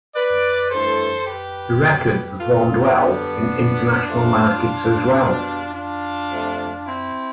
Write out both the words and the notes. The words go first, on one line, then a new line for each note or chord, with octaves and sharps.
The record performed well in international markets as well.
B4 D5
G2 E3 A3 A4 C5
G4 B4
B2 G3
F4 A4
G2 D3 G3 B3 D4
G2 F3 A3 D4 F4
B2 G3
D4 F4
C3 F3 A3
C4 E4